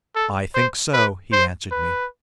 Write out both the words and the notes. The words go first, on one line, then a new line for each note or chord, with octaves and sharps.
"I think so," he answered me.
A4
C5
B4
C5
B4